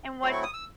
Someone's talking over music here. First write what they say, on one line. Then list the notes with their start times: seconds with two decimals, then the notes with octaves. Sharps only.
And what's
0.22 F#3 A3 C4 E4 C6
0.32 C#6
0.43 D#6
0.54 E6